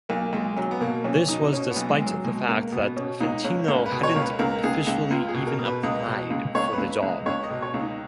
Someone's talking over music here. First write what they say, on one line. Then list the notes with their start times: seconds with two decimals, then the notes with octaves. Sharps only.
This was despite the fact that Fantino hadn't officially even applied for the job.
0.09 B1 A#3
0.33 B1 G#3
0.57 B1 F#3
0.71 B3
0.81 B2 A#3
1.04 B1 C#4
1.28 B2 D#4
1.53 B2 C#4
1.71 B3
1.76 B1
1.89 G#3
2.01 B1 F#3
2.24 B2 G#3
2.48 C#2 A#3
2.72 B2 B3
2.96 B2 C#4
3.20 C#2 D#4
3.44 C#2 C#4
3.68 C#2 A#4
3.86 B4
3.92 B2
4.03 C#5
4.14 C#2 A#4
4.21 B4
4.39 C#2 A#4
4.64 C#2 G#4
4.87 C#2
5.11 C#2 F4
5.29 G#4
5.34 B2
5.47 A#4
5.59 B2
5.65 B4
5.83 C#2 D#5
6.07 B2
6.30 C#2
6.55 C#2 C#5
6.73 C#2 B4
6.90 B4
7.02 C#2
7.09 D#5
7.26 C#2 C#5
7.44 D#5
7.50 B2
7.62 C#5
7.74 C#2
7.80 D#4